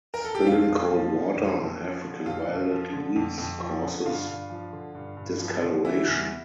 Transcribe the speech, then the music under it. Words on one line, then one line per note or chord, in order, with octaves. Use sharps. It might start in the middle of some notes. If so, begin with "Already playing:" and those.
Spilling cold water on African violet leaves causes discoloration.
A#4
A4
G4
F2 F4
F2
F3
D3
F2
F2
F3
D3
F2 F4
F2
F3
D3
F2
F2
F3
D3
G2 F4
G2
F3
D3
G2
G2
F3
D3
E3 E4
E2